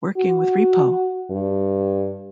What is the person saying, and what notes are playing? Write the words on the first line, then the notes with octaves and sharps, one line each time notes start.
Working with Repo!
F#4
G2